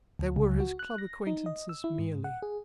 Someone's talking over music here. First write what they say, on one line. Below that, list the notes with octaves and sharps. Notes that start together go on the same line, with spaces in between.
They were his club acquaintances merely.
D2
C#2
F#4
F#6
A#6
D#4
D#5
E6
E4
G#2
F#5
G#4